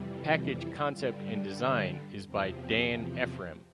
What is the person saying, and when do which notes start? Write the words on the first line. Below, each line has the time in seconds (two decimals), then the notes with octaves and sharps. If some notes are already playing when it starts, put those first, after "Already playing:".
Package concept and design is by Dan Efram.
Already playing: F2 C3 E3 G3
0.24 F4
0.58 E4
0.91 G2 D3 G3 F4
1.58 D4
2.26 E2 C3 F3 C4
2.59 C4
3.28 C4